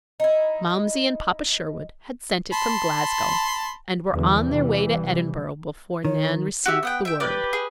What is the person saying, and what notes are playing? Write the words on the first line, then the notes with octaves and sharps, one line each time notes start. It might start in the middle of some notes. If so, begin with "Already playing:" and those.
Momsey and Papa Sherwood had sent it from Glasgow, and were on their way to Edinburgh before Nan received the word.
D#4 E4
A5 B5 C6
E2 D3 E3 F#3
C3 E3 G3
D#3 C#5
F#4 G4 E5
B3 F#5 G5
E5 G5
G4 B4 D5
G#4